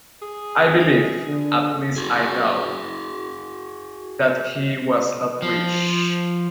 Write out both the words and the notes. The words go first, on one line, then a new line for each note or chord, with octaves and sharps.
I believe — at least I know — that he was not rich.
G#4
D3
F#4 G#4
F3